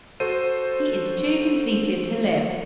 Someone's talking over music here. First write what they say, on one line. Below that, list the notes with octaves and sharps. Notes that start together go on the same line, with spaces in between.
"He is too conceited to live."
F#4 A4 C5 D#7